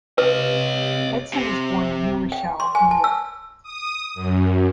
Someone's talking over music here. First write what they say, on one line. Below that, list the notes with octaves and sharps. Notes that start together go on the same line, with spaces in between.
Edson was born in New Rochelle, New York.
C3 B4 C#5 D#5
C3
G5
C6
G#5
A5
E6
D#6
F#2